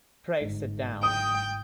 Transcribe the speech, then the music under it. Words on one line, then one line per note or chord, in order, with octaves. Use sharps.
Pray sit down.
G1 G#2
G5 D#6